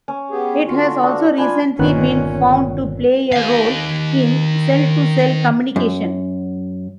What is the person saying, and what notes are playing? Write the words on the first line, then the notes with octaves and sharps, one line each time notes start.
It has also recently been found to play a role in cell-to-cell communication.
C#4
B3 G4 G#4
D3 F4 F#4
D4
D4 F4 G#5 B5
G1 A#2 D#3 B3 C#4 F#6
D#3 F5
F#2